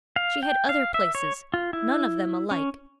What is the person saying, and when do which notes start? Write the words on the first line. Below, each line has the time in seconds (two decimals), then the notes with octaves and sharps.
She had other places, none of them alike.
0.16 F5
0.43 G5
0.69 F5
0.94 E5
1.15 C#5
1.54 F4
1.73 E4
2.51 C#4